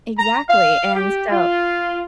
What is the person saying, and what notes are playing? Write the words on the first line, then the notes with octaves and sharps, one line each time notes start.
Exactly. And so
A#5
F5
G4
F4